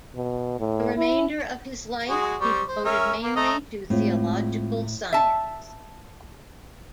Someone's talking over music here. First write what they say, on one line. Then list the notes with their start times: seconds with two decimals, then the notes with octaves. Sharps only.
The remainder of his life he devoted mainly to theological science.
0.15 B2
0.59 A2
0.97 E4
2.09 G#3 F#4 G#4
2.41 G3 C4 C#6
2.68 C5
2.85 C#4 A#4 E5
3.23 A#3
3.36 A3 D#5 A#5
3.90 A2 G#3 C4 F4
5.13 E5 A5